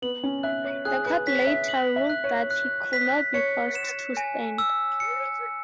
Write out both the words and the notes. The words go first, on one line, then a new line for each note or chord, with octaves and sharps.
The court later ruled that he could not be forced to stand.
B3 F#7
C#4
E5 F#6
C#5
G#4 F#6
B4
C#5 B6
E5
F#7
E5
F#6
C#5
F#6
B6
C#5 C#7
E7
G#5
E6
C#7